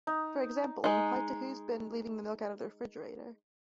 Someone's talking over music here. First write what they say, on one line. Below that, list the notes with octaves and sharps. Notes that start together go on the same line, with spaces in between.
For example, in reply to Who's been leaving the milk out of the refrigerator?
D#4
G#3 D#4